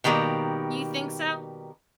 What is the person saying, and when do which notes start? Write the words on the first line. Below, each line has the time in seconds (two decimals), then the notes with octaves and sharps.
You think so?
0.04 B2 D#3 G3 A3 A#3